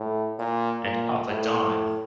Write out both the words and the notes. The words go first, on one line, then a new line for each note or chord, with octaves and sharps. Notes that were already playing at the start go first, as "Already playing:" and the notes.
And up a dime.
Already playing: A2
A#2
A#2
A2